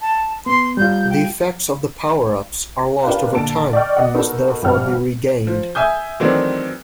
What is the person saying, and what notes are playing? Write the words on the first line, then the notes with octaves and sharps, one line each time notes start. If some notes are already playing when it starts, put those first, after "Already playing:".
The effects of the power-ups are lost over time and must therefore be regained.
A5
B3 C6
G3 F4 G6
G5
D4 F4 G4 A#4 B4 F5
A#2 D3 A5 D7
D5 D#5 G5 C#6 F6
D5 D#5 F#5
B3 D#4 F#4 A4 A#4
G#1 G2 F3 G4 F#5 F6
F3
E5 G#5 D#6 G6
D#3 E3 F#3 A3 C4 D4